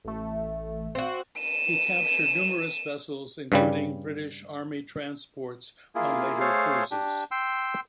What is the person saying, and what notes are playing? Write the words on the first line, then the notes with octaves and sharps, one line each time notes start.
He captured numerous vessels including British army transports on later cruises.
A1 A3
C4 F#4
D#7 E7
G2 C#3 G3
A#3 E4 F4 G#4
A3 G#4 A4 C5 C#5 F5
D4 G4
G5 C6 E6